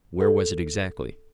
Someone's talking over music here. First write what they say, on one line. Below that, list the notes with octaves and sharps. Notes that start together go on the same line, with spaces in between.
"Where was it, exactly?"
A4